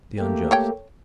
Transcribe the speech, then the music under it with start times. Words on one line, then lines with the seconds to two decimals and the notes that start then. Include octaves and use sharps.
The unjust?
0.19 A3 A#3 G4
0.51 A4 C#5 G5